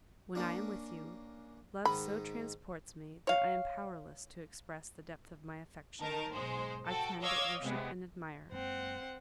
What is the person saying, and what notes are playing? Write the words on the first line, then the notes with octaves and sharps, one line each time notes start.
When I am with you, love so transports me that I am powerless to express the depth of my affection; I can but worship and admire.
A#3 C#4 D4
G#2 D#3 D#4 B5
C#5 F5
D#3 A#4 A5
B1 G#2 G#3 C5
F#4 A4 G5
C#5 D#5 F5 D6 E6 G#6
C3 G#3 B3
F#2 G#3 A#3 C4 F#5